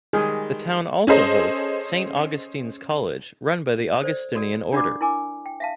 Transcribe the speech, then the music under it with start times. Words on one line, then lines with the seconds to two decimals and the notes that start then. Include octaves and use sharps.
The town also hosts Saint Augustine's College, run by the Augustinian Order.
0.13 D#3 G3 G#3 G#4
1.07 C#4 G#4 A4 C5 D#5
4.02 A4 C5 D5
4.35 F#4 A4 D5
4.72 D4 A#4 D5 F#5 B5 D6
5.01 E4 A#4 G#5 D6
5.46 G5
5.60 E5 F5 A5